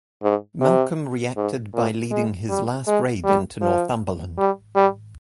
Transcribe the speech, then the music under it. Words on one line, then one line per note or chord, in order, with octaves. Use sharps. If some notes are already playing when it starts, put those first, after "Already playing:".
Malcolm reacted by leading his last raid into Northumberland.
G#2
C3
G#2
A#2
G#3
G3
G#3
G3
F3
G3
G3